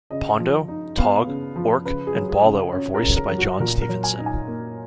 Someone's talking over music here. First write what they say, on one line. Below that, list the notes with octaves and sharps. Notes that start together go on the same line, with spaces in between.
Pondo, Tog, Ork, and Bollo are voiced by John Stephenson.
C#3 D#5
F3
D#4
B3 F5
C#3
F3
C#3 B4
G#4
F#3
G#4
C#3
C#4
A#4
C#3
A#4
F#3
F#4
A#2 A#4
A#4
F#3
G#5
D#4
G#5
A#3